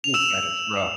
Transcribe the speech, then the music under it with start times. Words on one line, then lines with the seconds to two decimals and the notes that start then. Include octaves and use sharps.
Ooh, that is rough.
0.04 F7
0.14 E6 E7